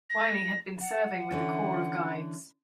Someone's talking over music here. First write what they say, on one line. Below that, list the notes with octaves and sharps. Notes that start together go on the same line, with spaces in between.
Wylly had been serving with the Corps of Guides.
A#6
F#5
D3 E3 C#4